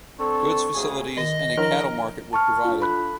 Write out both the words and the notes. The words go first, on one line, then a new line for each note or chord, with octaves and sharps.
Goods facilities and a cattle market were provided.
C4 D4 A4 C#6
D2 C#3 G#4
D#3 D#5
F3 D4 E4 A#4
A5 C#6 F6
D4 F4
A4 B5 F#6